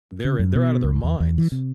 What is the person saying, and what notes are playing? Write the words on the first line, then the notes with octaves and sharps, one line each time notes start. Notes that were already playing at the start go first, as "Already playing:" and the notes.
They're in they're out of their minds.
C#3
F#2
B2
C#2
E2
E2
E3
C3